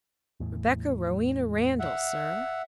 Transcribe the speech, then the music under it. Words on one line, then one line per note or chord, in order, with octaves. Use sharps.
"Rebecca Rowena Randall, sir."
E2 A2
E5 F#5